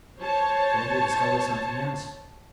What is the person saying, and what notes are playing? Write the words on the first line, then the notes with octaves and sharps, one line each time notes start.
Then they discovered something else.
C5 C#5 A5